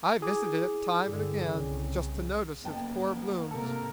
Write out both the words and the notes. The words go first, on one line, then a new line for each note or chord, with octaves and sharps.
I've visited it time an' again, just to notice its poor blooms.
E4 G#4 D6
G2 D3
C2 C#3
F#1 A#3 B3 G5 A5
G#2 C3 A#3 A4 A#4